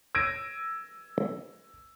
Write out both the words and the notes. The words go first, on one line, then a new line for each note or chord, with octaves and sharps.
Sometimes several towns united to hold one in common.
E6 G#6 A#6 D7 D#7